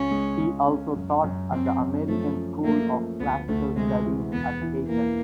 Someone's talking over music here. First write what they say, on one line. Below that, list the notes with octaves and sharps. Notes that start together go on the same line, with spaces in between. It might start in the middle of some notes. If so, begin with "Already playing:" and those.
He also taught at the American School of Classical Studies at Athens.
Already playing: C#2 C#4
G#3
G#3
C#4
F#2
F#2
F#2 C4
F#2
F3 A3
C#4
A3 A#3
F3
D2 B3
D2 A3
C3 G#3
E3
E1 B3
E3
E3 A#3